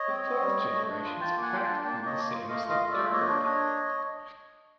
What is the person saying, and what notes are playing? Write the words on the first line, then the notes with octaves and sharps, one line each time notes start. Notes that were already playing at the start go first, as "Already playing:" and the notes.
The fourth generation is practically the same as the third.
Already playing: C#5 D#5
C4
C4
G3
A3
A3
D4
F4
F4 G5 A5
A#3
F#5 G#5
F4
G5 A5
D4
A#3 G5 A5
A#3
C#5 D#5
A#3
F4
A3 D#5 F5
F4 D#5 F5
A3
D5 E5
F4
A#3 C#5 D#5
D4
D4